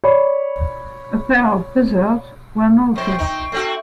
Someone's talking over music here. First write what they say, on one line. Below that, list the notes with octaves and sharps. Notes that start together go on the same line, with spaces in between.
A pair of Buzzards were noted.
C#5 D5 B5
F2 C5 G5 C#6
C4 D#4
A3 C4 F#4